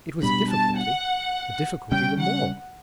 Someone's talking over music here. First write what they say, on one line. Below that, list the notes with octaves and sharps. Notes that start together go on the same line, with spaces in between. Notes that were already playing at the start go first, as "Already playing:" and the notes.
It was a difficulty--a difficulty the more.
B2 G3 D4 B5
A5
F#5
C#3 G3 C#4 G5
F#5